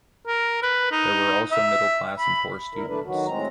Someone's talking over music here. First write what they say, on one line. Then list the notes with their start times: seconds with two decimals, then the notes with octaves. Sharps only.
There were also middle class and poor students.
0.27 A#4
0.63 B4
0.92 D#4
1.51 E5
2.19 B5
2.75 F2 A#2 E4 A#4
2.88 A3 D4 B4
3.06 D#3 F#3 F#4
3.26 A2 G#3 C4 A#5